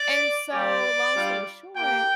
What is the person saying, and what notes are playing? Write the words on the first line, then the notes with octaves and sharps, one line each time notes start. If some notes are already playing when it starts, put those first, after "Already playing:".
And so, long story short,
Already playing: D5
G3 A#3 G4 D5
G3 D4 F4
A#3 G4 G5